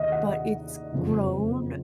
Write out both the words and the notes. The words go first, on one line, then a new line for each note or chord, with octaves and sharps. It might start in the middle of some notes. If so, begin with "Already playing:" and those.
but it's grown,
Already playing: D#2 D#5
F#5
F#1 F2 F3